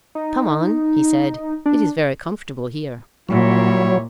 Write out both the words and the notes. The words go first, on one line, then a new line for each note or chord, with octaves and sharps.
"Come on," he said, "it is very comfortable here."
D#4
D4
A#2 F#3 G3 E4 C#5